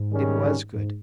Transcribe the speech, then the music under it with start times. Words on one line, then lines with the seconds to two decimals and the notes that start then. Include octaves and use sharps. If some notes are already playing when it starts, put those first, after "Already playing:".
It was good.
Already playing: G#2
0.10 D#3 G3 C#4 G#4
0.75 G#2